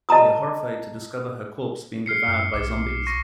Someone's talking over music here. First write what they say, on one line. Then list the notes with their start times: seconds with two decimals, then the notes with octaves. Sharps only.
They are horrified to discover her corpse being devoured by zombies.
0.09 D#5 A5 A#5 D#6
2.06 F6 C7 C#7
2.28 F#2
2.54 B1 D6
3.07 C#6 A#6